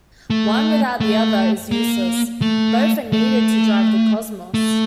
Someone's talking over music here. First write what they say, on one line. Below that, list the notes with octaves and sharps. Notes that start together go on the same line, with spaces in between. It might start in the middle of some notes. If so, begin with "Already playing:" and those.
One without the other is useless, both are needed to drive the cosmos.
A3
A3
A#3
A3
A3
A3